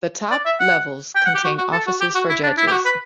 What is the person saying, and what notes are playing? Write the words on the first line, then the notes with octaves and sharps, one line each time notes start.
The top levels contain offices for judges.
D5
E5
F#5
G5
F#5
G4
F#4
F#4
A4
F#4
G4
F#4
E4
D4
E4
G4
F#4
B4